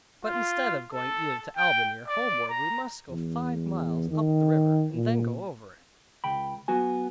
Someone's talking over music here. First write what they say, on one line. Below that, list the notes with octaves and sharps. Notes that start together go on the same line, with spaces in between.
But instead of going either to Albany or homeward, we must go five miles up the river, and then go over it.
F4
A4
G5
D5
A#5
E2
D#3
A#2
C#2 G5 B5
F#3 B3 F#4 G#5